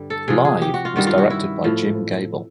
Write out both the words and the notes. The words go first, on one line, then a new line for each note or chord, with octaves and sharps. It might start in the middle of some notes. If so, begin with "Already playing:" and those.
"Live" was directed by Jim Gable.
Already playing: G2 D3 G3
A4
C3 F3 G#4
G#4
G4
F#4
F4
G2 D#3 G3 F#4
F4
F#4
E4
A2 F3